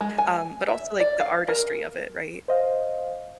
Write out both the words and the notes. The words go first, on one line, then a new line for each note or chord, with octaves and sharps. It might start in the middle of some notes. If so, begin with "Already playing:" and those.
Um, but also, like, the artistry of it, right?
G#3
G#5
E5
D5
F5
A#4
C5 D#5 F5